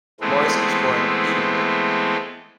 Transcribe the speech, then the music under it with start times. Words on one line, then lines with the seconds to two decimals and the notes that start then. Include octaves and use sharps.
Morison was born in Edinburgh.
0.21 E3 G#3 A3 B3 C4